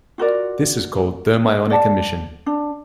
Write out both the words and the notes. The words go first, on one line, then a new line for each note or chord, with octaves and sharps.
This is called thermionic emission.
F4 F#4 A#4 D5
D5 F#5 A5
D4